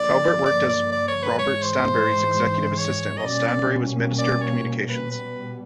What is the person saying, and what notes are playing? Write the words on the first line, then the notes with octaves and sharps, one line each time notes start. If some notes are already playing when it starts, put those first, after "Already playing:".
Faubert worked as Robert Stanbury's executive assistant while Stanbury was Minister of Communications.
Already playing: G2 D3 F3 A#3 D5
D5
D5
D5
C#5
B4
G#2 E3 G#3 C#5
C5
C#5
D#5
B2 G3 A#3 C#4 D5
D5
D5
C#5
B4
B2 G3 B3 B4